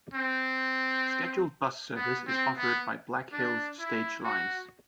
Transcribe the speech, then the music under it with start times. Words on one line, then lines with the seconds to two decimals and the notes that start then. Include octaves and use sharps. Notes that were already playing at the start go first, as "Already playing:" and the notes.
Scheduled bus service is offered by Black Hills Stage Lines.
0.14 C4
1.95 B3
2.27 C4
2.57 B3
3.32 D4
3.79 E4
4.24 F#4